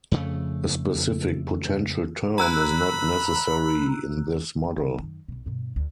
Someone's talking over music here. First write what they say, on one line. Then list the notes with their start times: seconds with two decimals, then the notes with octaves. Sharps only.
A specific potential term is not necessary in this model.
0.11 F2 C#3 A3
2.38 A#5 B5 E6 F#6
4.64 E2
4.78 G#3
4.99 F#2 D#3
5.28 B1 B2
5.46 G2 B2
5.76 D2